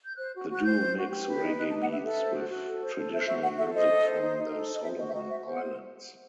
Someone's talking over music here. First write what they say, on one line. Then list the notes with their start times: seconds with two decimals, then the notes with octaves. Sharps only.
The duo mix reggae beats with traditional music from the Solomon Islands.
0.05 G6
0.17 C5 F#6
0.33 F#4
0.48 F#4
0.55 F#6
0.64 C5 G6
0.79 C5
0.96 F#4
1.10 G4
1.26 B4
1.41 D#4
1.57 D#4 F#6
1.69 A5
1.73 G4
1.80 F#5
1.88 B4 E5
2.04 A4 E5
2.20 C5
2.35 F#4
2.49 F#4
2.66 A4
2.81 C5
2.97 A4
3.12 C5 E5
3.27 F#4 E5
3.42 F#4 F#5
3.58 A4 E5
3.74 C5 D#5
3.89 A4
4.04 C5
4.21 D#4
4.36 D#4
4.51 A4
4.67 C5
4.73 D#5
4.82 C5 E5
4.97 F#4 D#5
5.08 E5
5.13 F#4 D#5
5.29 C5 E5
5.45 C5
5.52 F#5